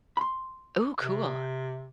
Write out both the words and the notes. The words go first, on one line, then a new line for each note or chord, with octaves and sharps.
Ooh, cool.
B5 C6
C3